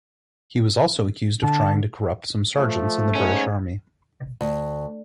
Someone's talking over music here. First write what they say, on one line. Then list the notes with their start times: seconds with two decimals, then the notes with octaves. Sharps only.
He was also accused of trying to corrupt some sergeants in the British Army.
1.43 D3 A5
2.57 F3 A3
3.15 G#2 C#4
4.41 D2